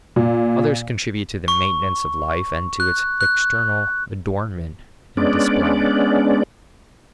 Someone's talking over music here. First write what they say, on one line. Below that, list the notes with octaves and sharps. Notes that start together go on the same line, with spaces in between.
Others contribute to the maintenance of life, and to its external adornment and display.
A#2
C#6
F#6
F#6
G#3 B3 C#4 D4 D5